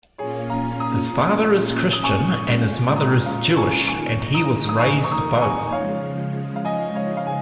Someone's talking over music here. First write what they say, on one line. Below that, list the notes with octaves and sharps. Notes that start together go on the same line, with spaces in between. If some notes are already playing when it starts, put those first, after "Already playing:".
His father is Christian and his mother is Jewish, and he was "raised both".
A#2 A#3 C#4 F4 G#4 C#5
F5 A#5
A#5 D#6
D#6
A#2 G#3 C#4 F4 G#5 C#6
A#5 D#6
F5 A#5
G#5 C#6
F2 D#3 A#3 D#4 G#5 C#6
A#5 D#6
D#6
G#5 C#6
C#6
A#5 D#6
G#5 C#6
G#5
C#3 F3 G#3 C#5 F5
F5
D#5 G#5
C#5 F5
F5
G#5